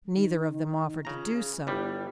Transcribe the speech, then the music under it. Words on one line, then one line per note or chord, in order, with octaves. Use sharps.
Neither of them offered to do so.
D#3
C#3 F4 A#5
G#4
G1 G3 E4